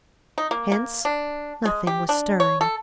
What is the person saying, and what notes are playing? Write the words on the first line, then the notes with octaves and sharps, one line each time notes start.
Hence nothing was stirring.
D#4
A#3
A#3
D4
G#3
G4
D4
C#5
A4